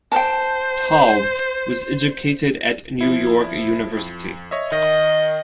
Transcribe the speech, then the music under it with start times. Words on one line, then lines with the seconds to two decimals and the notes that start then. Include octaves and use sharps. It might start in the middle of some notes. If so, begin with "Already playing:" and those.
Taub was educated at New York University.
0.12 C5 G5 A5
3.01 F3 E4
3.97 F2
4.51 C#5 D#5 E5
4.72 D#3 D#5